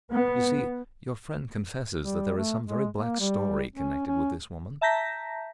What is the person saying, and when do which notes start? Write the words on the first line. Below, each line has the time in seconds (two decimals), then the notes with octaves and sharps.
You see, your friend confesses that there is some very black story connected with this woman.
0.11 B3
2.02 G3
2.37 A3
2.65 G#3
2.96 A#3
3.19 G3
3.76 C#4
4.07 C#4
4.81 E5 A5 A#5 G6 A#6 B6